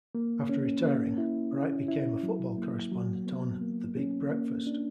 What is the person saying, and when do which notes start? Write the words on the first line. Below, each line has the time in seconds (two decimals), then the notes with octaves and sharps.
After retiring, Bright became a football correspondent on "The Big Breakfast".
0.15 A#3
0.49 C#4
0.83 A#3
1.18 E4
1.53 C#4
1.88 E4
2.23 F#3
2.58 A#3
2.92 F#3
3.27 B3
3.61 A#3
3.97 C#4
4.32 A#3
4.67 D4